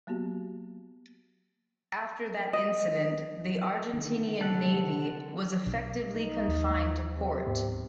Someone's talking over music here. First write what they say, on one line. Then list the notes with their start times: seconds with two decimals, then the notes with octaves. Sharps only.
After that incident, the Argentinian Navy was effectively confined to port.
0.07 F#3 A#3 B3 F#4 G4
2.53 D#5
3.94 D3 D#3
4.41 C3 A4 F#5
5.66 B1 B2 D4
6.14 D#4
6.48 D#2
7.15 C3
7.47 D1 G#2 B3